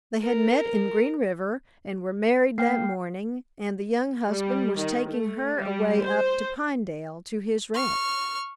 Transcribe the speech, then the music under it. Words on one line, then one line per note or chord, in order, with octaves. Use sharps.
They had met in Green River and were married that morning, and the young husband was taking her away up to Pinedale to his ranch.
A#4
A#3 G5 F6 C7
G3
D#3
A3
G3
C5
C#6 F6